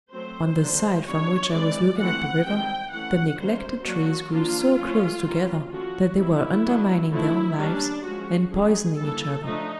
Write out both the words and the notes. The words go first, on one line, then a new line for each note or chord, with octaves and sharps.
On the side from which I was looking at the river, the neglected trees grew so close together that they were undermining their own lives, and poisoning each other.
F#3 A3 C4 C5
D3 F#3 A#3 D4
G3 B3 D4 C#5
E3 G#3 C4 D5
E3 A3 C4 F#5
D#3 G3 C4 G5
E3 A3 C#4 F#5
G3 A#3 C#4 C5
F#3 A#3 D4 F#4
F3 A#3 D4 F4
F3 A3 C#4
G3 A#3 C#4
F3 A3 C#4 F#4
D#3 G3 C4 E4
D#3 F#3 B3 D4
D3 F3 A3 E4
G3 A#3 C#4 D4
F3 G#3 C#4 F#4
D3 F#3 A#3 C#4 G#4
E3 G3 A#3 A4
F3 A3 D4 D#4